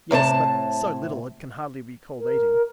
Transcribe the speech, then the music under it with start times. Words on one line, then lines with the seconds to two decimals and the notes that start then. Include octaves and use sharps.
"Yes; but so little, it can hardly be called eating."
0.11 A2 C3 C#5 A5
2.18 A#4